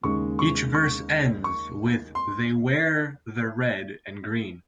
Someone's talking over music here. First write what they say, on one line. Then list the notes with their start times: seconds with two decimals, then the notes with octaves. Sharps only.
Each verse ends with, "They wear the Red and Green".
0.03 D#2 C#3 G#3 C#6
0.39 C#6
0.75 C#6
1.44 C#6
2.15 C6